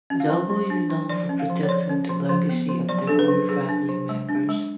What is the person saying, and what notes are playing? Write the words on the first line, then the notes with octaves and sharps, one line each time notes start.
Zogu is known for protecting the legacy of the royal family members.
C#4
F5
F#3
F#3
D4
F#3
F3 D5
C#4
F5
F3
C#5
F3 D5
C#4
F3
F3
B3
F3
F#3 D5
D4 A4
B4
F#3
F#3 G#4
D4
F#3
G#3
D4
G#3